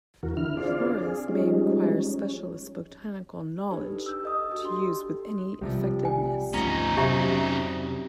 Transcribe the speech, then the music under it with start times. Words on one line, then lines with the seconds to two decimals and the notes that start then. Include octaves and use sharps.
Floras may require specialist botanical knowledge to use with any effectiveness.
0.23 E2 E3 F#4 A#4
0.37 D3 E4 F6
0.57 C4 D4 F4 G#4 D5 F5
1.01 G#4
1.28 F3 G3 G#3 C#4 D#4
1.93 C#4
3.71 D4 D#4 G4 A4 B4
4.06 E6 G6
4.23 A4 D#5 D#6
4.51 F#4 G4 A4
4.64 D4 G4 C6
5.61 B1 C3 F3 G3
6.05 G#5
6.54 G#1 D2 F3 C#4 D#4 A#5
6.97 F2 C3 F#3 G4 E5 A#5